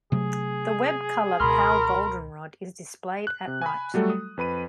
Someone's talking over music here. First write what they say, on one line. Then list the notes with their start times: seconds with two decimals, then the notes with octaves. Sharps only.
The web color pale goldenrod is displayed at right.
0.12 C3 F#3 A3 G#4
1.40 C#2 B2 A#4 B5 C6 F6
3.27 F#6
3.47 C3
3.61 G#5 B5
3.94 F#3 G3 A3 F#4 A4
4.10 D#6
4.37 F2 B4 B5 D#7